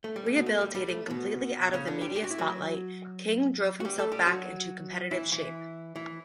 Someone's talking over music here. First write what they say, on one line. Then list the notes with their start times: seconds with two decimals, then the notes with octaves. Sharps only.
Rehabilitating completely out of the media spotlight, King drove himself back into competitive shape.
0.04 A3
0.16 G3
0.26 A3
0.36 B2 B3
0.46 A3
0.61 G3
0.75 G3
0.89 A3
1.06 A3
1.10 B2 B3
1.73 C#3 C#4
1.87 D3 D4
2.01 G3 G4
2.16 G4
2.24 F#4
2.31 E4
2.38 F#3 F#4
3.80 F#4
3.85 G3 G4
3.99 A3 A4
4.12 G3 G4
4.26 F#3 F#4
5.11 E3 E4
5.32 E3 E4
5.96 E3 E4